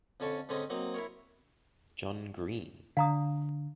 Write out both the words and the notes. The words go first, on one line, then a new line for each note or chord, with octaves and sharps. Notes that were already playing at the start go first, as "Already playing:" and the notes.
John Greene.
F2 D3 C#4 A5 C#6
G#2 D3 C4 C#4 D#4
F#3 A#3 C4 D#4
E4 A#4 C#5
D3 F5 A#5 D#6